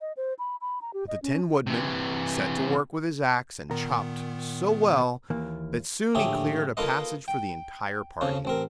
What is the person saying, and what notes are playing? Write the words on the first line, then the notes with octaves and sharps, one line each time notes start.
But the Tin Woodman set to work with his axe and chopped so well that soon he cleared a passage for the entire party.
D#5
C5
B5
B5
A#5
G4
D#5
C#4
C3 E3
A#2 D#3 B3 A#4
D#2 E3 A#3
A#1 A2 D3 G4 G#4 E5
A#3 D#4 F4 A4 B4 D#5
G5
F2 C#3 F3
A1 C4 A#4